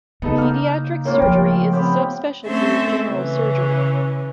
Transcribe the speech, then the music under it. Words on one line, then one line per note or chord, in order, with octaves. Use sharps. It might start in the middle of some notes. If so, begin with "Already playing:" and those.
Pediatric surgery is a subspecialty of general surgery.
C#3 B3 D#4 A4
A#3 D#4 F6
A2 A#3 C#4 F4 C#5
C#3 F3 G5
B3 C4 G4 C#5
A3 C4 C#4 A4 C5 E5
C#3 E3 C#4